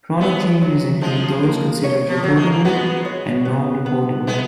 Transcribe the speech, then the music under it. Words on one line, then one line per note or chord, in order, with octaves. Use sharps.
Product changes include those considered reportable and non-reportable.
F#3 G#3 B3
F#3
D#3 F3 G#3
A#3
C#5
F3
F3 F#3
G#3
A#3
G#3 B3 F#4
C#5
B3
B3
G#3 B3